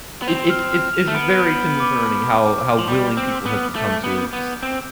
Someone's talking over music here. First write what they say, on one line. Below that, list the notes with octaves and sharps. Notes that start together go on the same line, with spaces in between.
it it's it's it's very concerning how how willing people have become to just
B3
C4 F7
F6
F6
F7
A3
B3 D7
G6
G7
D6
A5
A5
D6
F6
F3
G3 F6
F6
C4
B6
B3
F6
A3 G6
D7
B3
G6
B3
G6
C4 D7